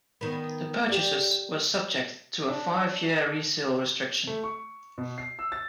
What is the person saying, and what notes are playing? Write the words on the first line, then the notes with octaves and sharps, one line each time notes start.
The purchases were subject to a five-year resale restriction.
D#3 B3
G4 D5
D4
A3
C#6
B2
C7
E6
A6